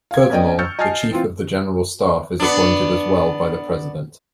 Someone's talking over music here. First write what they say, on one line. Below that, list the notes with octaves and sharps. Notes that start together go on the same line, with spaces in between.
Furthermore, the Chief of the General Staff is appointed as well by the President.
F5 G#6
B3 C#4 D5 D#5 G5
C#6 E6 F6 G6 A6 C#7
D#5 G#5 A5 F6 A6 C7
E3 C4 F4
B3 D4